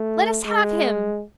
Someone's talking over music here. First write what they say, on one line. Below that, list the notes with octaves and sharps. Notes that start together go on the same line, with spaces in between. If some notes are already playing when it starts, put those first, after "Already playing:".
Let us have him!'
Already playing: A3
G#3